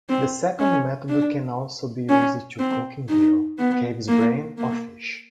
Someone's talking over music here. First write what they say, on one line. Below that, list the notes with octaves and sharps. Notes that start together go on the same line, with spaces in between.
The second method can also be used in cooking veal, calves' brains, or fish.
C4
C#4
D4
C#4
C4
D#4
B3
A#3
A#3